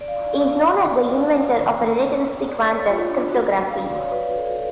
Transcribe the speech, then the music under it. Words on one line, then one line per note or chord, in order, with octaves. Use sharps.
He is known as the inventor of relativistic quantum cryptography.
D5
F5
D5
C#5
F4
D4
F#4
F5
D5
C#5
B4
A4